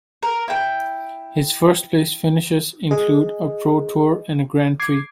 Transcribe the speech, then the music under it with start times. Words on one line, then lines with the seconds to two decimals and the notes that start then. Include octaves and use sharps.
His first-place finishes include a Pro Tour and a Grand Prix.
0.23 A#4
0.48 E4 G5
2.91 G#4 D#5
4.80 D6 G#6 C7